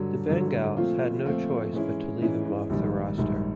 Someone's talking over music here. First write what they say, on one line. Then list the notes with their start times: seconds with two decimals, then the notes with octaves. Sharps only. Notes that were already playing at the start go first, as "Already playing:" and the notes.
The Bengals had no choice but to leave him off the roster.
Already playing: G2 D3 F#3
0.28 G2 D3 F#3
0.77 A#2 F3 A3 C4 F4
1.25 A#2 F3 A3 C4 F4
1.73 G#2 E3 G#3 C#4 E4
2.21 G#2 E3 G#3 C#4 E4
2.70 A#1 G#2 D#3 G3
3.18 A#1 G#2 D#3 G3